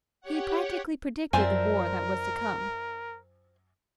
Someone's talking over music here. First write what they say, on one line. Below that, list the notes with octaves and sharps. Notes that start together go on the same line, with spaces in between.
He practically predicted the war that was to come.
G4 C#5 F#5
F#2 C4 D4 F4 A#4 C5 E5 G#5